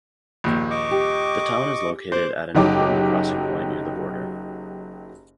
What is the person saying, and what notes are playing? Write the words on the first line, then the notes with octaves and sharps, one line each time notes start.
The town is located at an important crossing point near the border.
A#1 D#2
D#5 C#6 D6
G4
C5 D6 F#6
F#1 F#3 D#4 G4 D6